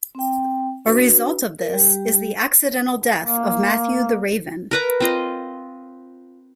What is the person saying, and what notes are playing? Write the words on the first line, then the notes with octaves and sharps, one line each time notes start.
A result of this is the accidental death of Matthew the Raven.
C4 G5
D4 F#4 B4
A#4
G3 G4
A#3
A#4 B4 A#5
C4 F4 D#5